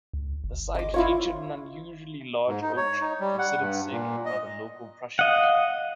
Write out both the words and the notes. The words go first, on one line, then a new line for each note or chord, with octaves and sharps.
The site featured an unusually large oak tree, considered sacred by the local Prussians.
C#2
G1
D#5 D6
E4 F4 C#5
G#2
D#4
C#5
D#4
G3
F#5
G2
A#2
D#5
D#5 F5 F#5